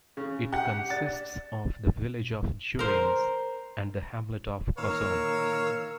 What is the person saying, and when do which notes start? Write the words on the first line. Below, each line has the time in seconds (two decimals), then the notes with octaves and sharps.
It consists of the village of Juriens and the hamlet of Cosson.
0.17 C#3
0.53 G4 F#5
0.90 D4 A6
2.79 A#4 C5
4.78 A#2 D#3 A#4 C#5 F5 E6